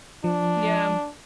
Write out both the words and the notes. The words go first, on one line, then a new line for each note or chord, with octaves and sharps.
Yeah, um
F3 D4